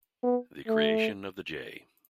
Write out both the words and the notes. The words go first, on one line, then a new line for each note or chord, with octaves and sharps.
The creation of the J.
B3
A3